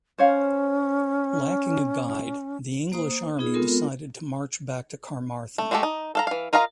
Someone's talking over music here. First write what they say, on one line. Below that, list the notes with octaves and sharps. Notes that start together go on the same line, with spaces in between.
Lacking a guide, the English army decided to march back to Carmarthen.
C#4 C5 C#5 F5
A#3 C5 A#5 D#6
B3 D#4 F4 G#4 D#6
G#3 B3 C4 F4 A4 A#4
A3
G#3 A3 F#4 G4 A4
D#4
A4 F5 A#5
E3 F5
F4 A#4 D#5 F5 A#5